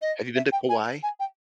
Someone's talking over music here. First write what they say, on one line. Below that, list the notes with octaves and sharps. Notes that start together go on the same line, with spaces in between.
Have you been to Kauai?
D#5
E5
G5
G#5
G#5
G5